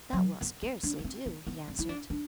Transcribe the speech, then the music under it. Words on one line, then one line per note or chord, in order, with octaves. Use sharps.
"That will scarcely do," he answered.
F#3
B3
C4
D4
B3
C4
B3
B3
C4
E4
D4
D4